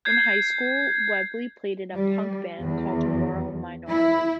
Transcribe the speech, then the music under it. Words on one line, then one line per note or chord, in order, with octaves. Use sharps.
In high school, Webley played in a punk band called Moral Minority.
G6 G#6 C7
G3
E2
E4